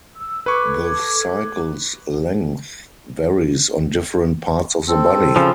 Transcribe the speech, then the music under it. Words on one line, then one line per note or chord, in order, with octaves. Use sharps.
The cycle's length varies on different parts of the body.
E6
A4 B4 C#6 D6 G#6
C4 A4
C#3 F3